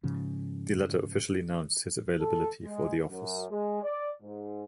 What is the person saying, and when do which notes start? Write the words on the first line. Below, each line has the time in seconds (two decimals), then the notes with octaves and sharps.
The latter officially announced his availability for the office.
0.03 G#2 C#3 F3
2.19 A4
2.64 G#3
3.10 F#2
3.51 G#3
3.83 D5
4.22 G#2